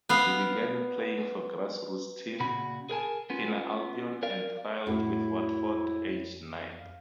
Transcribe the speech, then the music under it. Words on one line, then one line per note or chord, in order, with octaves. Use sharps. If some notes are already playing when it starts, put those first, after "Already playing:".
He began playing for grassroots team Pinner Albion and trialled with Watford aged nine.
B3 F5
A#2 C#3 F#4 B5
G#4 A#4 G#5 A5
B3 C#4 F4
A#4 D5 F5
F2 A2 A3 E4 F#4
F5